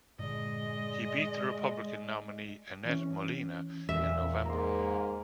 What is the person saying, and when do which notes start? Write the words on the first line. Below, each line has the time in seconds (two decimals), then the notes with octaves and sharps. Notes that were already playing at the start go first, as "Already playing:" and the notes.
He beat the Republican nominee Annette Molina in November.
0.19 G2 A#2 D3 G#3 D5 D#5
2.85 E3 C#4
3.89 E2 A#2 E5
4.46 G#2 A#3 A#5 C6